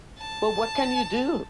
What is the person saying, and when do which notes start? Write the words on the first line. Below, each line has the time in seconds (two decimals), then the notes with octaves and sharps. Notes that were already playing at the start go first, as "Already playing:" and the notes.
But what can you do?
0.18 A5